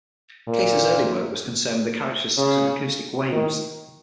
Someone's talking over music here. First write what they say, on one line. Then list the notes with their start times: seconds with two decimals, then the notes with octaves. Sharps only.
Kayser's early work was concerned with the characteristics of acoustic waves.
0.48 A#2
2.38 C#3
3.32 D#3